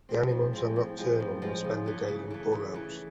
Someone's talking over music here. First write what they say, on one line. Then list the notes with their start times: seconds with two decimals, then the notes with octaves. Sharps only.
The animals are nocturnal and spend the day in burrows.
0.09 F3 G#3 C4
0.31 A2
0.53 F3 G#3 C4
0.76 A2
0.98 F3 G#3 C4
1.20 A2
1.42 F3 G#3 C4
1.64 C#3
1.86 E3 A3
2.08 C#3
2.30 E3 A3
2.53 C#3
2.75 E3 A3